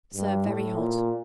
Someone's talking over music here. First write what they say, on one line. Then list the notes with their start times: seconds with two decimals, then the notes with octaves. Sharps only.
Serve very hot.
0.14 G2
0.45 A2
0.77 A#2